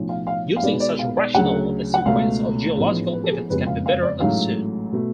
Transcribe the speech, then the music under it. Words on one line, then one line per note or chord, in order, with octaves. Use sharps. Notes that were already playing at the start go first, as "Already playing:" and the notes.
Using such rationale, the sequence of geological events can be better understood.
Already playing: B1 A2 F3
F5
F5
F5
B1 B2 G#3 B3 D5
D5
F5
D5
D2 C#3 F#3 F#5
F#5
C#2 B2 A3 F5
A1 G#2 F3 G#3 B3
B4
A4
G#4
F#1 F2 C#3 G#3 B3 B4
F5
F5
D5
A1 G#2 F#3 A3 F5
B2 A3